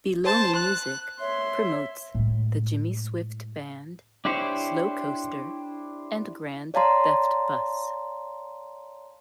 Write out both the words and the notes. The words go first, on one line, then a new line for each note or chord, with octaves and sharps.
BelowMeMusic promotes the Jimmy Swift Band, Slowcoaster, and Grand Theft Bus.
C5 A5
F#6
C#5 E5 C6
A2 G#3
D4 E4 G4 C5 C#5
C#5 D5 F5 A5 A#5 C6